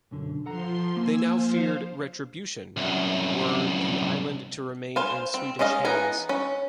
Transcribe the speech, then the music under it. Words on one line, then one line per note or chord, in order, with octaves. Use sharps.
They now feared retribution, were the island to remain in Swedish hands.
B1 F#2 D3
F3 A4 F#5 A#5 C6
A#3 G#5 E6
F3 F4 C5
C2 F#2
C5 F5 G#5
C4
G#3 C#4 G#4 D#5 F5
E3 B3 D#4 G#5 A#5
C#4